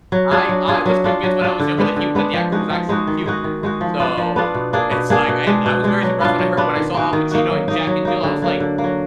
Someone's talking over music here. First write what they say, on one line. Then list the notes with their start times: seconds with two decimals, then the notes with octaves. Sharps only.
I I was convinced when I was younger that he that the actor was actually Cuban. So, it's like and I was very surprised when I heard when I saw Al Pacino in Jack and Jill, I was like,
0.12 F#3
0.31 D4 F4 G#4
0.49 F#3
0.67 D4 F4 G#4
0.86 F#3
1.04 D4 F4
1.23 F#3
1.41 D4 F4
1.60 D3
1.78 G#3 B3 D4
1.96 D3
2.15 G#3 B3 D4
2.33 F3
2.52 G#3 D#4 F#4
2.70 F3
2.89 G#3 D#4 F#4
3.07 D#3
3.26 G#3 D#4 F#4
3.44 D#3
3.63 G#3 D#4 F#4
3.81 F3
4.00 B3 D4 F4
4.17 F3
4.36 B3 D4 F4
4.54 B2
4.73 A#3 D4 G#4
4.91 B2
5.10 A#3 D4 G#4
5.28 B2
5.47 G#3 D4
5.66 B2
5.84 G#3 D4
6.03 F#3
6.21 B3 D4 F4
6.39 F#3
6.57 B3 D4 F4
6.76 D#3
6.94 A#3 D#4 F#4
7.13 D#3
7.31 A#3 D#4 F#4
7.50 F#3
7.68 A#3 D#4
7.87 F#3
8.05 A#3 D#4
8.23 D3
8.42 F#3 A#3
8.60 D3
8.78 A#3
8.84 F#3